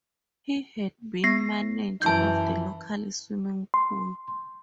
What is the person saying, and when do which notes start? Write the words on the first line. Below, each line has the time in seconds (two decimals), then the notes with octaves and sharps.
He had been manager of the local swimming pool.
1.24 B3 A#6 C7
2.02 F#2 E3 A5 G6
3.74 C6